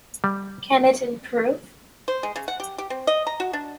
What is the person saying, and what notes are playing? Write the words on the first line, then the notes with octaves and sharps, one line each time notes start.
Can it improve?
G3
C5
G#3
C#3
F#5
G4
G4
C4
D#5
A#5
F#4
D4